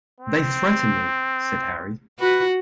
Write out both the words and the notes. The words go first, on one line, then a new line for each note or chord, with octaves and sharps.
"They threaten me," said Harry.
C4
F#4 B4